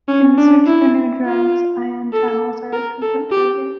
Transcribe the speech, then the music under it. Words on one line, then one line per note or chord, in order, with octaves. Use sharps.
In the search for new drugs, ion channels are a frequent target.
C#4
D4
E4
F4
A4
A#4
A4
G4